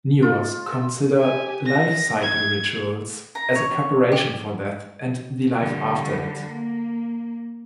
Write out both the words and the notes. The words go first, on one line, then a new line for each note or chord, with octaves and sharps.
Newars consider life-cycle rituals as a preparation for death and the life after it.
F4
E6
G4 G#5
A#6
G#6
A#5
C#5
G4
D3 G3
A#3